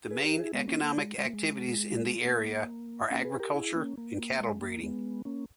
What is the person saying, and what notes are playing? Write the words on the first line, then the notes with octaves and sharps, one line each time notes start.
The main economic activities in the area are agriculture and cattle breeding.
G#4 B4
G4 A#4
E4 G#4
G#3 B3
A#3 C#4
A#3
G#3
G#3
A#3
G#3
A#3
A#3 C#4
G#4 B4
G4 A#4
E4 G#4
A#3 C#4
A#3
A#3
G#3
A#3
G#3 B3
A#3 C#4